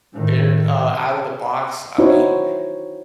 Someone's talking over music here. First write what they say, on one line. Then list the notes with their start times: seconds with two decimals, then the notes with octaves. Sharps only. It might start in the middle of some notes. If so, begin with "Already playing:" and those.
B Bear, uh, Out of the Box. I mean,
0.14 A2 D#3
1.98 D#4 E4 F#4 C5 C#5